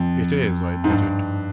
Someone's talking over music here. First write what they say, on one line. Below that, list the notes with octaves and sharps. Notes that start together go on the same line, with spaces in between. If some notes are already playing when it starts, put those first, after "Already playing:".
"It is," I admitted.
Already playing: F2
G#2
G2